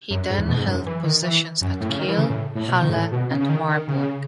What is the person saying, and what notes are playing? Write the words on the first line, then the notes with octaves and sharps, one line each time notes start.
He then held positions at Kiel, Halle and Marburg.
F#2
G#2
E2
B2
G#2
F#2
E3
D#3
E3
F#2
A2
C#3
D#3
E3
C#3
A2
A2
B2
D#3
G#2
A2
B2
C#3
C#3
D#3
D#3
C#3